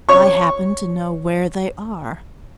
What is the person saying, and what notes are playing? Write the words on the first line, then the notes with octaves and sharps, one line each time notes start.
"I happen to know where they are."
C#5 C#6